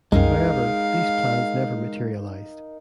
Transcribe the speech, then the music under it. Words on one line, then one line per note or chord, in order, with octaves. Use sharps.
However, these plans never materialized.
C2 F#2 G#3 D#4 A#4 F5